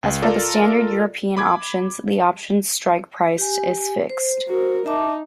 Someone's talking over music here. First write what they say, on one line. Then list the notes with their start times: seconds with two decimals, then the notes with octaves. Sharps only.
As for the standard European options, the option's strike price is fixed.
0.03 C#2
0.22 F4 A4 A#4 D5
1.37 B5 D6 G#6
3.38 G4 G#5
4.10 C5
4.48 F#4 A#4
4.86 D#4 E5 A5 D6